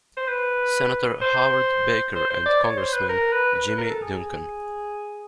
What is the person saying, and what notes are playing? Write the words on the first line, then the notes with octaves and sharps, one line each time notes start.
Senator Howard Baker and Congressman Jimmy Duncan.
C5
B4
C5
C5
C5
D5
C#5
C5
B4
A#4
B4
B4
B4
A#4
A4
G#4